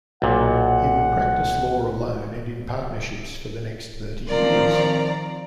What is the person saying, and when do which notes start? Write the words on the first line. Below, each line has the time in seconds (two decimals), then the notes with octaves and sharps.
He would practice law alone and in partnerships for the next thirty years.
0.22 B1 A#2 F#5
4.27 D#3 F3 C4 A#4 D5 A#5